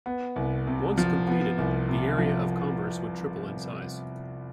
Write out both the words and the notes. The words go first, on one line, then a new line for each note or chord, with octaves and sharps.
Once completed, the area of Converse would triple in size.
B3
C2
C3
F3
B3
C2
C3
F3